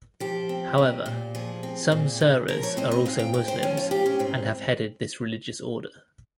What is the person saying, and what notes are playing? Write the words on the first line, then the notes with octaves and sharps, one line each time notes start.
However, some Serers are also Muslims and have headed this religious order.
F3 G4
C4
A#2
A#2
F3 G#4
C4
A#2
A#2
F3 A#4
C#5
C4 D#5
D#5
G#2 F5
G5
G#2 G5
C5
F3 C#4
F4
C4 G4
C#4
G#2 C4